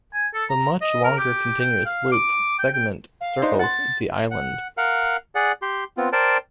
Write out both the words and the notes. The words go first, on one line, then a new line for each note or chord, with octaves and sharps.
The much longer continuous loop segment circles the island.
G#5
A4
A#5
D#5
A#4
G4
G5
F5
D6
G5
G5
F5
D4 D#4 C5
F#5 C6 A6
F#5
A#4 F5 F#5
G#4 D5 F#5
G4 C6
B3 C4 F4
A#4 C5 D5 G5 A5